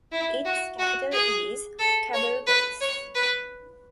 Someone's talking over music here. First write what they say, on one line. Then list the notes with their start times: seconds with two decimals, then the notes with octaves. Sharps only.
Its capital is Cabarroguis.
0.12 E4
0.45 F#4
0.79 F#4
1.12 G#4
1.79 A4
2.13 C#5
2.47 B4
2.81 C#5
3.15 B4